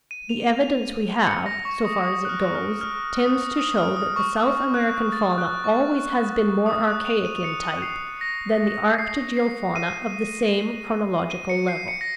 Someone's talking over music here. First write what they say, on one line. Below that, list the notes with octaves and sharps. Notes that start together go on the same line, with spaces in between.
The evidence we have, so far as it goes, tends to show that the South American fauna always has been more archaic in type than the arctogeal fauna of the same chronological level.
D#7
F7
D#7
C#7
A#6
C#6
D#6
D#6
F#6
F6
F6
F6
D#6
D#6
F6
D#6
C#6
D#6
F#6
A6
F#6
C#6
D#6
F#6
F7
D#7
C#7
C7
A#6
C7
C7
D#7
D#7
C#7
C7
C#7
A#6